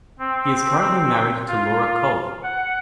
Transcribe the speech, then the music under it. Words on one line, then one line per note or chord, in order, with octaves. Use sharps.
He is currently married to Laura Cole.
C4
F4
F#5